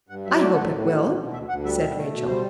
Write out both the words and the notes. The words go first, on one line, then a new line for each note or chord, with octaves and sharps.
"I hope it will," said Rachel.
G2 F#5
F#3 E5
A3 D5
A2 F#5
E5
A2
B2 F#5
B2
B2
D2 E5
D2 F#5
G3 E5
B2 E5
A3
B2
G3 C5